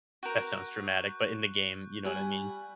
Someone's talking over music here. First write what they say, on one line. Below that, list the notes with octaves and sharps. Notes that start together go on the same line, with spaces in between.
that sounds dramatic, but in the game, you know what I mean.
F#4 A#4 C#6 F#6 G6
G3 F#5 G#5